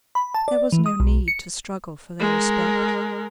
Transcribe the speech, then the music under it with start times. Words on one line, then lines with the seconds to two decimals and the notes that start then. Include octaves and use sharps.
There was no need to struggle for their respect.
0.15 B5
0.34 A5
0.48 D5
0.72 E3
0.86 D#6
1.00 B1
1.28 C#7
2.20 G#3 A#4